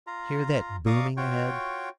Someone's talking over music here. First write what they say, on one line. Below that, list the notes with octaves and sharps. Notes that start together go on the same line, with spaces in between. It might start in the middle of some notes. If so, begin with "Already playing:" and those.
Hear that booming ahead!
F4 A#5
D5 F5 A#5 C#6 D#6
F4 F#4 C#5 G5